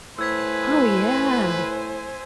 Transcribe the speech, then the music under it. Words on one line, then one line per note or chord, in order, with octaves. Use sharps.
Oh, yeah.
A2 B4 C5 G#5 E6 G#6 B6